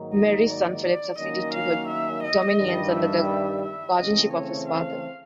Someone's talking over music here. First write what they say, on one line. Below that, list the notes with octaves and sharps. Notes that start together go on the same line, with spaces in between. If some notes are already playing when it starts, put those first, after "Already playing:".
Mary's son Philip succeeded to her dominions under the guardianship of his father.
Already playing: G#2 D#3 F#3 A#3 D#4
D#5
D5
D5
D#3 F#3 A#3 C#4 D#5
F5
E5
D#5
G2 D#3 G3
E5
E5
C#3 E3 A3 C4 D#5
C#5
F5